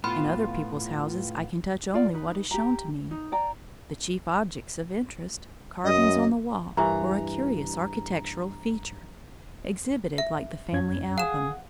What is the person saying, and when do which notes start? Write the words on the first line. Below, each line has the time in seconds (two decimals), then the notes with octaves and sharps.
In other people's houses I can touch only what is shown to me--the chief objects of interest, carvings on the wall, or a curious architectural feature, exhibited like the family album.
0.04 A2 B3 F4 B5 C6 F6
1.94 F4 D5
2.14 D#4 B4
2.51 G4 A#5
3.11 D#4
3.32 D5 G5 A#5
5.84 F#2 D#5
6.77 G2 E3 A#5
10.18 E5
10.73 F#2 C#4 G#6
11.18 G#4 F5 F#5 E7